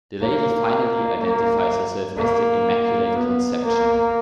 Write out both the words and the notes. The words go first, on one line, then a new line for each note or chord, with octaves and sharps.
The lady finally identifies herself as "the Immaculate Conception".
A#3
A#3
A#3
B3
A#3